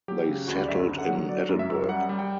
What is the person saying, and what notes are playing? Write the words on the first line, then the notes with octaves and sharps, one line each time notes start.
They settled in Edinburgh.
F#3 G4
C#3
G4
D2 F#4
G4
D5
F#2 E5
D3
F#5
F#3
F#3 D5
F#2
E5
F#2
G3 F#5
G3
G5